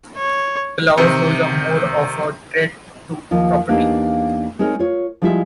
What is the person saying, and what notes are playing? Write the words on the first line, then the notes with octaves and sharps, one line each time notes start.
The lava flows are more of a threat to property.
C#5
C3 D#3
D#2 F3 D#5
E2 A#3 D4 D#4 G4 F5
G#3 C4 D#4 G#4 A#4 C#5
F4 C#5
F3 G3 G#3 E4 F4 E5